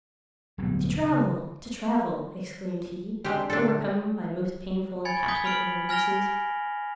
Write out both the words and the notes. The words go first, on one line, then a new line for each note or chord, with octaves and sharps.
"To travel! to travel!" exclaimed he, overcome by most painful and passionate remembrances.
D1 B1 E2 G3
C#3
G#3 C4 D4 G4
A#2 D3 C4 D4 A4
G#5 B5 G#6 A6 C#7
D#6 G6 G#6 B6 G7
B5 F6 D7 F#7
G#5 F6 A#6 F7 G7